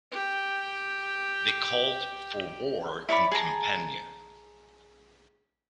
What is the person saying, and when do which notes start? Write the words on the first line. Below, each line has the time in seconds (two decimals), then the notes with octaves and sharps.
They called for war in Campania.
0.12 G4 G5
3.09 E4 C#5 D5 B5
3.31 G#4 A5 A#5